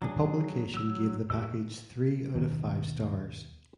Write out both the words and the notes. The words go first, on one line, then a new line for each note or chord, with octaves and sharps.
The publication gave the package three out of five stars.
F#3 D4 G#4
F#3 E6
F#4 G4 A#4 D#5 E6
D#2 B2 D#3